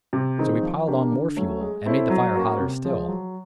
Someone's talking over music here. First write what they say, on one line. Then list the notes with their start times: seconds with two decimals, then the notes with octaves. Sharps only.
So he piled on more fuel and made the fire hotter still.
0.13 C3
0.38 D#3 G#3 C4 D#4
0.62 F3
0.87 A#3 D4 G4
1.11 D3
1.36 F#3 A3 C#4
1.60 G#3
1.86 C4 E4 A4 C#5
2.10 F#3
2.35 A#3 C#4 F#4
2.59 C3
2.85 F3 G#3
3.08 F#3